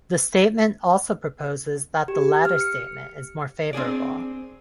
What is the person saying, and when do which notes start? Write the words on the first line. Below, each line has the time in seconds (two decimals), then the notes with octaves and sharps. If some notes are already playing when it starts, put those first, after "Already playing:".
The statement also proposes that the latter statement is more favorable.
2.08 G4
2.45 F6
2.61 C#7
3.73 C4 D4 G#4 D5